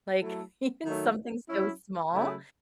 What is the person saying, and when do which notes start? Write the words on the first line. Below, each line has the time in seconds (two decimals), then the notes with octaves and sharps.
Like, even something so small.
0.20 F#3 A3 E4 A4
0.84 D#3 F#3 A3
1.49 F#3 C#4 E4
2.13 C#3 F#3 A3 E4